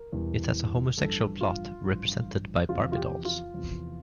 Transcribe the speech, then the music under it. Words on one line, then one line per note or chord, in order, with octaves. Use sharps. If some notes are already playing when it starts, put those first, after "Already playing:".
It has a homosexual plot, represented by Barbie dolls.
Already playing: A#4
E1 E2 E3 G3
A1 G2 F3 A4
F4
A1 G2 F3
E2 C3 F3 F4
F4
G4
F4
E2 C3 F3